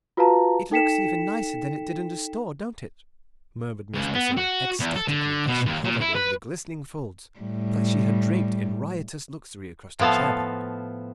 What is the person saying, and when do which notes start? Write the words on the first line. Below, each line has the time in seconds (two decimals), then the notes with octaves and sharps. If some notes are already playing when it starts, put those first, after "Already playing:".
"It looks even nicer than it did in the store, don't it?" murmured Miss Priscilla, ecstatically, as she hovered over the glistening folds that she had draped in riotous luxury across the chair-back.
0.17 F4 F#4 B4 F5 A5 A#5
0.71 D#4 A4 G5 B6 C#7 E7
3.94 C#2
4.15 B3
4.37 F#4
4.80 E2
4.96 A4
5.08 D3
5.47 B2
5.65 D#2
5.84 A#2
6.01 E4
6.15 B4
7.39 A2 G3
9.99 A2 F3 B3 A4 F5